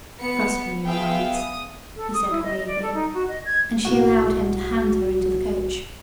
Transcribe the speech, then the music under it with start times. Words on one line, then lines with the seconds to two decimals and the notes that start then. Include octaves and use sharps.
"Trust me, your highness," he said, gravely, and she allowed him to hand her into the coach.
0.19 B3 C#7
0.84 B3 G#4 E5 F5 G5
1.35 D#6
1.96 A4
2.13 D#6
2.31 E4
2.43 D#5
2.67 D5
2.82 A4
2.94 D#4
3.14 F#4
3.28 D#5
3.46 G#6
3.85 B1 A2 F#4